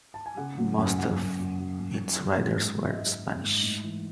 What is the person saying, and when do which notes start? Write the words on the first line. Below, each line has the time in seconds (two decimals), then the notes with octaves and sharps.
Most of its riders were Spanish.
0.14 A5
0.26 G#5
0.37 C#3 F#5
0.58 F#3
0.78 F#2 G#5
0.99 F#2 F#5
1.19 F#2
1.39 F#2
1.59 F#3
1.80 F#2
2.00 D#3
2.21 F#3
2.41 G#2
2.61 G#2
2.81 G#2 E5
2.90 D#5
2.97 E5
3.02 F#3
3.23 D#3
3.43 G#2
3.63 A2
3.84 E3